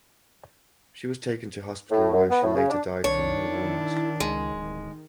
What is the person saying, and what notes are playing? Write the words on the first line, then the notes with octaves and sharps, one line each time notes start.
She was taken to hospital where she later died from her wounds.
A2
F#2
B3
A2
C#3
D4
C2 D#3 D4 C#5
E4
C#2 G#3
D1